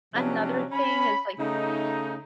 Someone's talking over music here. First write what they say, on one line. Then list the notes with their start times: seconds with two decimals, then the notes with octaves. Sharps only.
Another thing is like
0.14 C3 F3 F#3 C#4 D4
0.71 C#4 B5
1.39 C#3 A3 D#4